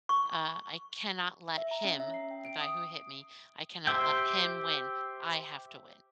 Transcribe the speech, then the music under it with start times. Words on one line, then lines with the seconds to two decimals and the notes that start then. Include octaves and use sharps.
uh, I cannot let him, the guy who hit me, I cannot let him win. I have to win.
0.09 C#6
1.58 E5
1.71 A#5
1.85 C#4
2.00 E5
2.14 C7
2.31 G5
2.45 D7
2.60 D#6
3.87 G4 C5 E5 G5